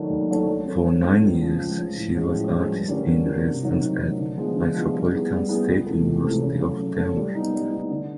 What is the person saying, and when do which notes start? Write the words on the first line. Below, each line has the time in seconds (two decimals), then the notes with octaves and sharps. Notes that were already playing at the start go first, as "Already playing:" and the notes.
For nine years she was artist in residence at Metropolitan State University of Denver.
Already playing: D#3 F#3 A3 D4
0.10 D#2
0.29 D#3 F#3 A3 D4
0.48 F#3
0.66 A3 C4
0.84 F#3
1.03 A3 C4
1.22 C#2
1.41 C#3 F3
1.59 C#2
1.77 C#3 F3
1.96 A2
2.15 F3 G#3 C#4 F#4
2.33 A2
2.52 F3 G#3 C#4 F#4
2.71 G2
2.88 D3 G3 A#3 C#4
3.07 G2
3.25 D3 G3 A#3 C#4
3.44 C3
3.63 D#3 F#3
3.82 C3
4.00 D#3 F#3
4.18 D3
4.37 F3 G#3 B3
4.56 D3
4.74 F3 G#3 B3
4.93 G3
5.12 B3 E4 G#4
5.31 G3
5.49 B3 E4 G#4
5.67 C#2
5.86 C3 E3 A3
6.05 C#2
6.23 C3 E3 A3
6.42 C#3
6.60 F#3 A3
6.79 C#3
6.98 F#3 A3
7.17 G3
7.35 B3 D#4
7.54 G3
7.72 B3 D#4
7.90 D3